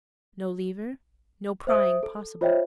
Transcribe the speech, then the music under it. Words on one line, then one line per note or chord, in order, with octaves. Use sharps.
No lever; no prying possible.
C5 E5 D#6
A4
F4 C5 C#5 D#5 E5 G5